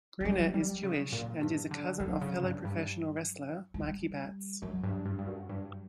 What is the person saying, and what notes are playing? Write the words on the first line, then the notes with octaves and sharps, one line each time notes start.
Gruner is Jewish, and is a cousin of fellow professional wrestler Mikey Batts.
E3
F#3 G3
G3
C#3
A#2
G2
D3
D3 F#3
C#3
G2
G2
G3
F#2 F#3
G2
G2
G2
F#2
G2